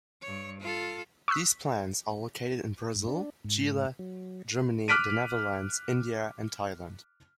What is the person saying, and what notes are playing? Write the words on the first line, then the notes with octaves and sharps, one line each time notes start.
These plants are located in Brazil, Chile, Germany, the Netherlands, India and Thailand.
G2 C#5
F4 A4
C#6 D#6 E6 F#6 B6
G2
D4
G#2
F#3
D6 F6 F#6 B6 D7 D#7